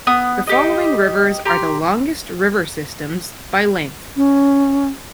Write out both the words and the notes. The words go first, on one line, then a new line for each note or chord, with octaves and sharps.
The following rivers are the longest river systems, by length.
B3 D#6
D#4 G4 D#5
G4 A#5 C6
C#4